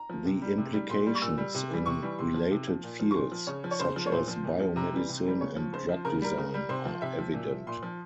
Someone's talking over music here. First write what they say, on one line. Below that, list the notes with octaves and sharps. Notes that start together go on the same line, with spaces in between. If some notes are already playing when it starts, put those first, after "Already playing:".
The implications in related fields, such as biomedicine and drug design, are evident.
Already playing: A#5
F3
C3
G3
C3
G3
A#2 C6
G3
C#6
A#2 E6
G3
C3
E3 G3
C3 C#6
E3 G3
C3 C6
F3
C3
F3
A#2
F3
C#6
A#2 C6
F3
C#3 C#5
F3
C#5
C#3 C5
F3
C#5
A#2 C5
F3
A#2
F3
C3 A#5
E3 G3
C3
E3 G3
C#3 C#5
F3
C#3 C5
F3
C#3 A#4
G3 A#4
C#3
G3
C3 C5
F3
C3 E5
F3
A#2
F3
A#2 C6
F3